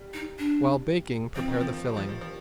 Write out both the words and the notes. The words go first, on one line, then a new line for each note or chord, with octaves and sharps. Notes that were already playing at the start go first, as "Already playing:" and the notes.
While baking prepare the filling.
Already playing: G3
D#4
D4
F3 C4
D#3
F3
F3
G3
F3
F3
F3